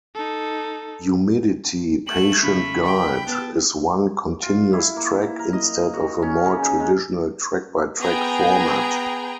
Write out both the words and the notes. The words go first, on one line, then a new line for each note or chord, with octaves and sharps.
"Humidity Patient Guide" is one continuous track, instead of a more traditional track-by-track format.
D#4 A4
A3 F#7
C#3 B5
G5
B3 A5
F4
E4
A#3
A#4
D#5
F#4
C#4
C#3
D#4
G#3
B3 G#4 G5 A#5